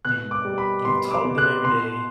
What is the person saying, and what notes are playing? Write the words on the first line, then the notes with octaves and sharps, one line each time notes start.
"You You talk to them every day,
B2 F#6
D6
G3
B5
B2 C6
D6
B2
F#6
B2 C6